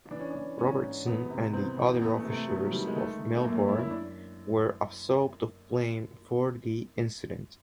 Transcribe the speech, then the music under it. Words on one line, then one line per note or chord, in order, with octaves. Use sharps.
Robertson and the other officers of "Melbourne" were absolved of blame for the incident.
E3 D4
C#4
D4
E3
G#2 C#4
G#2
E2 B3
C3
E2 C4
E3
A#3
E2 B3
A3
C3
A3
E2 F#3
D#3 G3
G#3
D#3 A3
D#3
A3
F#2 A#3
C#4
F#2 E4
E4
D4